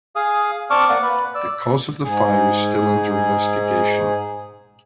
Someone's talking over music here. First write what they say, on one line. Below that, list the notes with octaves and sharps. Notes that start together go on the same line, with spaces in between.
The cause of the fire is still under investigation.
G#4 F5 D#6
C4 D5 A5 C#6 D6 F6
A#3 D5 F#5
B4
D5 E6
G#2 G#4